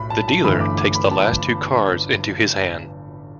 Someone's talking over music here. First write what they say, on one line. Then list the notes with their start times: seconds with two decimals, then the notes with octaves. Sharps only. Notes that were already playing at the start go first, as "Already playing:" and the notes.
The dealer takes the last two cards into his hand.
Already playing: B1 A2 A3 B5
0.10 A5
0.28 A5
0.44 G1 G2 E3 A3 B5
0.61 D6
0.78 D6
0.95 B5
1.11 A5